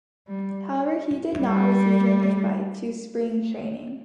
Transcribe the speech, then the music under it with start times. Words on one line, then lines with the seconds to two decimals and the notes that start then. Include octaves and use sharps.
However, he did not receive an invite to spring training.
0.28 G3
1.39 G3